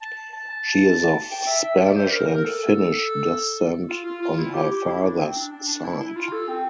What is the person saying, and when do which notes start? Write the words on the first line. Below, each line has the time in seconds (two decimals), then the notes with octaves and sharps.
She is of Spanish and Finnish descent on her father's side.
0.02 A5
0.33 A5
0.50 A5
1.31 G5
1.46 E5
1.63 E5
1.80 D5
1.96 C5
2.11 A#4
2.27 A#4
2.44 A4
3.89 F4
4.05 F4
4.22 F4
4.39 E4
4.54 G4
4.71 G4
4.87 E4
5.03 D4
5.18 C4
5.36 D4
5.52 D4
5.67 D4
5.84 E4
6.00 E4
6.16 F4
6.32 A4
6.49 C4